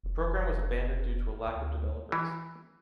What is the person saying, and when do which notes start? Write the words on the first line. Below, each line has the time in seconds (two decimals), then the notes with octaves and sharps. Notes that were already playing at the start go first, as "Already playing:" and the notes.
The program was abandoned due to a lack of developers.
0.03 F1
1.47 D2
2.12 E3